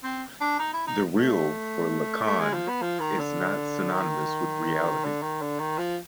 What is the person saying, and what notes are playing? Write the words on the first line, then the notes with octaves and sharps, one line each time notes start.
The Real, for Lacan, is not synonymous with reality.
C4
D4
D#4
E4
D#4
A3
A3
G#3
F3
B3
F3
D#3
D3
D#3
D3
D#3
D3
D#3
F3